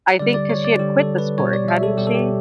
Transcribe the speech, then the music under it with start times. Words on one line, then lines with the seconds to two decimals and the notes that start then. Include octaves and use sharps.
I think 'cause she had quit the sport, hadn't she?
0.19 D3 G3 D5
0.34 D5
0.50 C#5
0.64 D5
0.79 D3 G3 G4
0.99 A4
1.18 B4
1.38 B2 G3 C#5
1.53 D5
1.68 E5
1.83 A4
1.97 B2 G3 G4
2.07 A4
2.15 G4